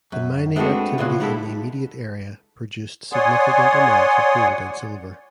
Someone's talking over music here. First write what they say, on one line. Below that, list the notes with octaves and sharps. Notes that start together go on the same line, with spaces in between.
The mining activity in the immediate area produced significant amounts of gold and silver.
F#2
G#3 A3 B3 C4 D4 F#4
A2 C#3 F4 D#5 F#5
G3 G#3 D#4 E4 A4
C#5 D5 F#5 G#5 C6 D#6